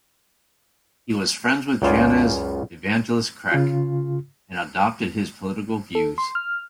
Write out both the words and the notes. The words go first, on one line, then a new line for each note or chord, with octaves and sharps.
He was friends with Janez Evangelist Krek and adopted his political views.
C#2 F#2 C#3 F4 D5 G#5
C#3 F4
A4
C6
F6